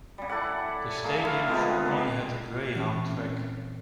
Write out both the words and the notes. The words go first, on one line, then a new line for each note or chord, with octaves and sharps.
The stadium formerly had a greyhound track.
C#3 G3
E4 A4 D5 F#5
A3 A#3 G#4
E4 F5
C3 F3 G#3 B3
C#3 G3 G#3
A#2 E3 C4 C#4